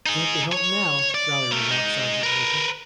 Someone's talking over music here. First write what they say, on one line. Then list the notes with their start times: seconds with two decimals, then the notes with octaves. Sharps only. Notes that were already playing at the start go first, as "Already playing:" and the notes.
"Can't be helped now," dryly remarked Sergeant Latham.
0.06 D#4 G#4
0.53 C#5
1.14 D5
1.52 A3 A#4
1.70 G#3 D#4
2.23 A#4 B4